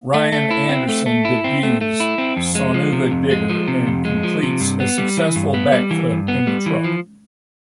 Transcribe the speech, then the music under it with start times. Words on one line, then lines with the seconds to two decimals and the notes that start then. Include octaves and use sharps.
Ryan Anderson debuts Son-Uva Digger and completes a successful backflip in the truck.
0.14 A3
0.32 A3
0.51 E4
0.69 C4
0.89 A3
1.06 A3
1.25 E4
1.44 C4
1.63 A3
1.81 A3
2.00 E4
2.18 C4
2.37 F2
2.55 G#3
2.74 F3
2.93 C3
3.11 F2
3.31 G#3
3.50 F3
3.68 C3
3.87 F2
4.05 G#3
4.23 F3
4.43 C3
4.60 G2
4.80 B3
4.98 G3
5.17 E3
5.36 G2
5.54 B3
5.72 G3
5.91 E3
6.10 G2
6.28 B3
6.47 G3
6.66 E3
6.84 F3